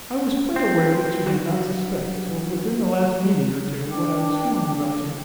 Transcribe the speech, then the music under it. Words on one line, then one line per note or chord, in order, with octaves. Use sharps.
I was quite aware that you did not suspect till within the last meeting or two what I was feeling about you.
C4
F#3 G3 B3 D4 F#4
D4 G5 D6